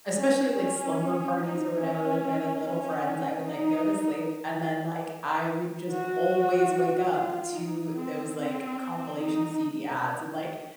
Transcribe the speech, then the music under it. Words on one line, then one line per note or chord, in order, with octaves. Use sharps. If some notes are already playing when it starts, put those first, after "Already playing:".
especially, like, slumber parties or whatever with my, like, little friends, I would, like, go to sleep and then, like, I would just always wake up to those, like, compilation CD ads and, like,
C#4
C#4
D#4
C#4
C#4
D#4
F#4
F4
D#4
C4
C4
D#4